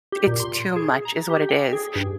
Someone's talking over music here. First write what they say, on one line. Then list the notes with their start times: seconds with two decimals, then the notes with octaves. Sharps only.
it's too much is what it is.
0.12 G4
0.27 A#2
0.40 C6
0.76 G#4
1.05 A#5
1.29 G4
1.49 G5
1.73 G#4
1.96 G2